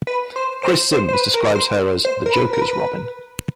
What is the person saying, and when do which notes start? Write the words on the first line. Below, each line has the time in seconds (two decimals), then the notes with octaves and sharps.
Chris Sims describes her as the Joker's Robin.
0.07 B4
0.36 C5
0.63 C5
0.93 C5
1.09 C5
1.13 B4
1.34 A#4
1.55 C5
2.05 C5
2.26 A#4
2.33 B4
2.53 A#4
2.62 B4